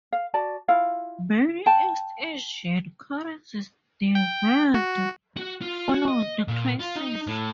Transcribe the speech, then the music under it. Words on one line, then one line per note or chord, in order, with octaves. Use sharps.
Many East Asian currencies devalued following the crisis.
F5
F#4 D5 A5
E4 F4 F5
G5 A5
G5
F#4
F#4
F4
F#4
D#5
A#2
F4
D#4
A2